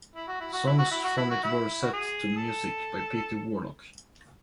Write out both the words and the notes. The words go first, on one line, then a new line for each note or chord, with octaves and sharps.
Songs from it were set to music by Peter Warlock.
E4
F#4
E4
F#4
E4
F#4
E4
F#4
E4
F#4
E4
F#4
G#4
A4